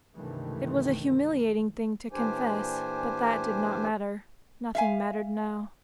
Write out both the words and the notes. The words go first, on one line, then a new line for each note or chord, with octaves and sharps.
It was a humiliating thing to confess, but that did not matter--nothing mattered now.
C#2 G2 C3 D#3 E3 A3
A#2 E3 D4 G4 C5 G#5
E5 F5 G#5